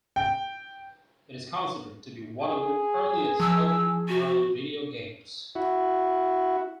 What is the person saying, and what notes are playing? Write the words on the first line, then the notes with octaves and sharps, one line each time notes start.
It is considered to be one of the earliest open world video games.
G5
G#4
F3 E6
F#4
E4 F#4